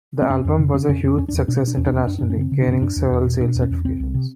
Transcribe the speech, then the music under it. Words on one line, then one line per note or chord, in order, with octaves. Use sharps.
The album was a huge success internationally, gaining several sales certifications.
C4
F2 C#4
F2
C#3
C#3 C#4
F2 C#4
F2 C#4
E2 C#4
D4
E2
C#4
B2 D4
C#4
B2 D4
E2 C#4
D4
E2 C#4
F#2 D4
F#2 D4
C#4
C#3 C4
C#3
D4
F#2
C#4
F#2 D4
E2
E2
B2
B2 D4
E2
C#4
E2
C2 C4
C2
C3